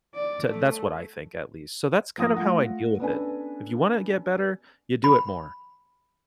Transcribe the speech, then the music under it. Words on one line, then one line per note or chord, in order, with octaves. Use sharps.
to that's what I think at least. So that's kind of how I deal with it, if you wanna get better, you do it more.
D5
A3
F3 A#3 D#6 A#6
A3 F4 F#5
B3 C#4 D4 A4 B4 G#5
B5